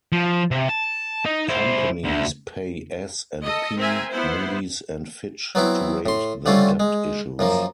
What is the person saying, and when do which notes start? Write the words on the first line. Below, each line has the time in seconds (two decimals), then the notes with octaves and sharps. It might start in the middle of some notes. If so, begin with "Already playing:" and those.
Companies pay S and P, Moody's and Fitch to rate their debt issues.
0.12 F3
0.51 C3
0.69 A5
1.26 D#4
1.49 E4 C5
2.04 D2
3.44 A4 D#5
3.78 C4 A#4 E5 G#5
4.11 B3 E4 C5
5.55 F#3 B3 C4 E4
6.06 A2 C6
6.46 D3 G3 A3 C4 C#4 F4
6.80 G#3
7.39 F#2 F3 A#3